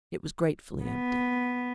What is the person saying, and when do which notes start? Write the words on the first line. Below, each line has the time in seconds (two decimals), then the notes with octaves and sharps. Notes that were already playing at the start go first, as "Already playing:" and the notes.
It was gratefully empty.
0.85 B3